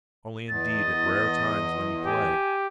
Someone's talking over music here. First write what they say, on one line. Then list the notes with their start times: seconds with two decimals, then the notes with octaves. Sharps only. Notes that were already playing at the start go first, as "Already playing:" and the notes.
Only indeed at rare times when you play.
0.49 E2 D#5 A6
2.06 G4 G#5